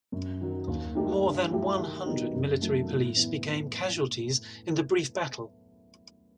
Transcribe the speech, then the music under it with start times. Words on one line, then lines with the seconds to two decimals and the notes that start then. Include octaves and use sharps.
More than one hundred military police became casualties in the brief battle.
0.12 F#2
0.41 D#3 F#3
0.68 D#2
0.95 D#3 A3 D#4 G4
1.23 G2
1.51 F#3 A3 E4 G4
1.79 D#3
2.06 F#3 B3 D#4 G4
2.34 F#2
2.61 D#3 F#3 A3
2.89 A2
3.17 E3 B3